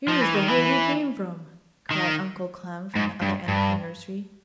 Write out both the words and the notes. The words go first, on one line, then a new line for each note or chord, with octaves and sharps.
"Here is the hole he came from!" cried Uncle Clem from the other end of the nursery.
F3
E3
D#3
E3
D#3
G#2
G2
G2